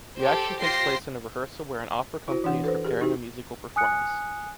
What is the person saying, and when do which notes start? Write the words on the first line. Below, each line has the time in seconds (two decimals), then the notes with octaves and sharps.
The action takes place in a rehearsal where an opera company is preparing a musical performance.
0.21 G4 A4 C5
0.61 F4 G4 C5 C6 A#6 C7
2.28 E4 F#4 C5
2.44 E3 D4 F#5
2.64 A4 B4 C5
2.85 G4 G#4
3.01 D#4 F#4 G4
3.76 G#5 D#6 F#6 C#7